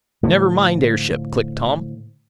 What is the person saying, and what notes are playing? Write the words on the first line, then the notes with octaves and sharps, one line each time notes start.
"NEVER MIND AIRSHIP," clicked Tom.
A2 D3 F3